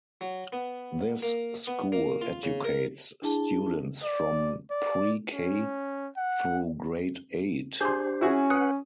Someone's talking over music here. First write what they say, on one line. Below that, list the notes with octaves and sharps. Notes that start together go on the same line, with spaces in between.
This school educates students from pre-k through grade eight.
F#3
B3
A#3
B3
A#3
F4
C#3
A#4
D4 E4 G#4 A5 G7
D5
D5
C#4
F#5
D4 G4 G#4 C5 C6
C#4 E4 F#4 G#4
B4 F#5 D#6